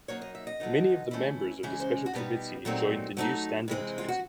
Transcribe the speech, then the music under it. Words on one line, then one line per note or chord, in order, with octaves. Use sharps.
Many of the members of the special committee joined the new standing committee.
F#3 A#3 D#4 C#5
D#5
E5
D#5
D3 F#3 B3 D#4
E3 A3 C#4 E4
C#3 E3 G#3 C#4 E5
C5
F#4
B2 G3 B3 D#4 G4
A#2 F#3 A3 C4 D#4
F#3 A3 C4 D#4
C3 E3 G#3 C4
F4
F#4